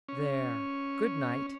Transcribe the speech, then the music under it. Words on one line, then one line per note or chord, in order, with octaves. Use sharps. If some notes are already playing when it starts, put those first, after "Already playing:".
There, good-night.
C#4